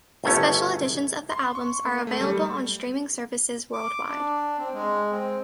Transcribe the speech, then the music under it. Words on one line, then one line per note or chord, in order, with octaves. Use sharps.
The special editions of the albums are available on streaming services worldwide.
G1 D#3 A3 C#4 C#5
C6
C#6
A#3
A3
G3
D6
D4
C4
G#3
C4